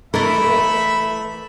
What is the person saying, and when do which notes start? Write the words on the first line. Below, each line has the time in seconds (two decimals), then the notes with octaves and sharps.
What for?
0.14 E3 A3 A#4 E5 B5